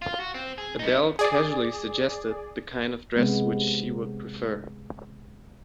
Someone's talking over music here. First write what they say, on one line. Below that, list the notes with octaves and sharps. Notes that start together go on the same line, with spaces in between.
Adele casually suggested the kind of dress which she would prefer.
F4
F#4
C4
G#4
B3 D#4
G#4 D5
C3 G#3 B3